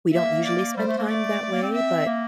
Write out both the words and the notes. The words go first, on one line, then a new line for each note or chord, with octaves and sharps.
we don't usually spend time that way, but
A#3 E5
D5
G3 C5
A3
A#3
A3 D5
A3
A#3
C4
E5
A#3